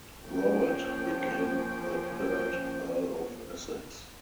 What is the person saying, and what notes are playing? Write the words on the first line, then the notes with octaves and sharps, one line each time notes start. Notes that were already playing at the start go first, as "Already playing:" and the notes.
Robert became the third Earl of Essex.
F3 A#3 C#4 G5
G5